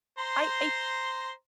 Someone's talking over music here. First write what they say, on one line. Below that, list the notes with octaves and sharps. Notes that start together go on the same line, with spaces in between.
I I
C5 A#5 C6